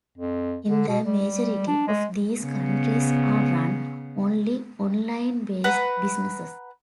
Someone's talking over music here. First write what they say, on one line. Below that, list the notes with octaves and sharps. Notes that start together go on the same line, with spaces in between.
In the majority of these countries are run only online-based businesses.
F2
D3
B2
G3
D4
G#3
C#3 B3
B4 F#5 A#5